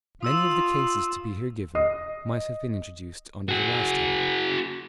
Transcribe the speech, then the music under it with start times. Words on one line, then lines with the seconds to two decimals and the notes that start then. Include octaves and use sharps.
Many of the cases to be here given, might have been introduced under the last heading.
0.23 F4 D#6 E6 E7
1.75 D#5 D#6 C7
3.49 F#4 G#4